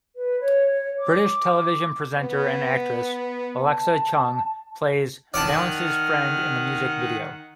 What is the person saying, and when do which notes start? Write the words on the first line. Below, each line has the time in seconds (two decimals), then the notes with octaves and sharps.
British television presenter and actress Alexa Chung plays Valance's friend in the music video.
0.16 B4
0.41 C#5
0.99 D6
2.18 B3
3.62 A5
5.34 D#3 D5 F#5 A5 F6